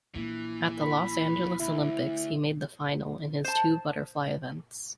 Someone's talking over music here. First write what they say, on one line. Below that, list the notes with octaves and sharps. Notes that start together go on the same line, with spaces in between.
At the Los Angeles Olympics, he made the final in his two butterfly events.
A#1 E3 A#3
B5
D2 E4
C5 A5